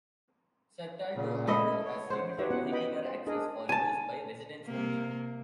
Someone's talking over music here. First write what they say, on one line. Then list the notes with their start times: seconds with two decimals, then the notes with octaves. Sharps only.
Certaldo Alto has limited vehicular access, for use by residents only.
1.16 A#2 C#3
1.47 A3 E4 D#5
1.85 C#5
2.10 C5 F#5
2.38 D#4 F#4 G4 B4 C#5 E5
2.50 B3 C#4 E4 C5 F#5
2.72 B4 D#5 G5 B5
3.05 C5
3.27 D4 G#4 A#4 D#5
3.69 G#5 A5
4.67 C3 A#3